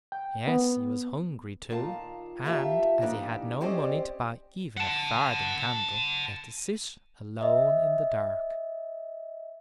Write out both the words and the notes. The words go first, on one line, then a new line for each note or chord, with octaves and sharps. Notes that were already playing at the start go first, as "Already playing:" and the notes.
Yes, he was hungry too, and as he had no money to buy even a farthing candle, he had to sit alone in the dark.
G5
B3
A#2 D#3 F4 A5
A#2 D#3 F4 G4 E5 A5
E3 G3 A#3 D4 D#4 G4
C4 C#4 G4 C5 D5 D#5
F#5 A5
D#5 E5